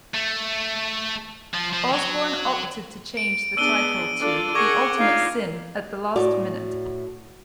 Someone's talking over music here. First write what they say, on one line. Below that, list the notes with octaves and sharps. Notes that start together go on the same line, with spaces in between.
Osbourne opted to change the title to "The Ultimate Sin" at the last minute.
A3
F3
F3
F#3
D7
B3 D4 G#4 E6 D#7 G7
D4 F4 A4 D5
G#4 A#4 F#5 C#6 D6 G#6 A#6
D4 D#4 F4 F5
A2 F#4 D5